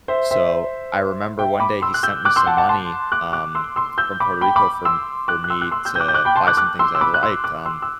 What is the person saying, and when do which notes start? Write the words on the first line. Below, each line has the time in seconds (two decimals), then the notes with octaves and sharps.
so, I remember one day he sent me some money, um, from Puerto Rico, for m for me to buy some things that I liked, um,
0.08 C5 E5
0.31 C5 E5
1.39 E5 G5
1.60 B5 D6
1.82 C6 E6
1.94 F#6
2.03 E6 G6
2.25 D6 F#6
2.36 C6 E6
2.46 F#5 A5
2.57 F#5 A5
2.69 A5 C6
3.12 D6 F#6
3.33 D6 F#6
3.55 C6 E6
3.76 C6 E6
3.98 E6 G6
4.20 B5 D6
4.41 G5 B5
4.56 B5 D6
4.85 C6 E6
5.28 D6 F#6
5.44 F#6
5.50 C6 E6
5.62 F#6
5.71 C6 E6
5.85 E6 G6
5.95 G6
6.00 D6 F#6
6.08 G6
6.14 D6 F#6
6.25 G5 B5
6.36 A5 C6
6.47 D6 F#6
6.57 D6 F#6
6.79 C6 E6
6.95 E6
7.01 B5 D6
7.14 F#6
7.23 C6 E6
7.44 D6 F#6
7.65 C6 E6
7.82 E6